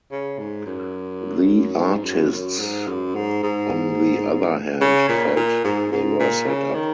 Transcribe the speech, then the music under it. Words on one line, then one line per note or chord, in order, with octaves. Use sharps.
The artists on the other hand felt they were set up.
C#3
G#2
F#2
G#2
F#2
F#2
G#2
F#2
G#2
G#2
C#3
A#2
A#2
G#2
G#2
A#2
C#3
D#3